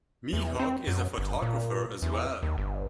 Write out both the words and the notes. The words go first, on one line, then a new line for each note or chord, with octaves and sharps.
Mihok is a photographer as well.
E2
C4
F#2
G1
A#2
E2
D#2
G1